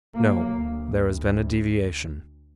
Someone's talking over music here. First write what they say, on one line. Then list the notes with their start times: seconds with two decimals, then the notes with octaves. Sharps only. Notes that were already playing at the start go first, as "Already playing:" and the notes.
No, there has been a deviation.
0.14 F#3 A#3
0.52 D2